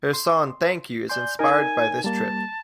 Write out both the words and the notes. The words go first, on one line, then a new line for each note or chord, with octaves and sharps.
Her song "Thank You" is inspired by this trip.
C6
D5 G#5 C6 G6
D#4 A#4 G#5
G3 A#3 A5